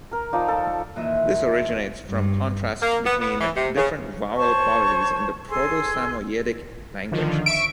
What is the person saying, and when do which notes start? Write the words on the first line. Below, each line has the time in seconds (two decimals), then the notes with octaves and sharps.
This originates from contrasts between different vowel qualities in the Proto-Samoyedic language.
0.11 A#4 A#5
0.33 F3 D#4 D5
0.48 A4
0.96 D#2 A#2 E3 D#5 E5
2.10 G2
2.82 A#3
3.05 B3
3.21 B3
3.40 E3
3.56 C3
3.77 C#3
4.37 C5 C#5 A5 C#6
5.49 G#4 A4 G#5 C6
7.11 D3 D#3 F3
7.46 E5 C#6 D7